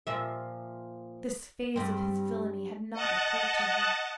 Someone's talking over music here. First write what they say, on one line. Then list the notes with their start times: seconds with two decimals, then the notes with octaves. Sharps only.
This phase of his villainy had not occurred to her.
0.07 A#2 F3 E5
1.76 G2 C4
2.93 D#5 F#5 A5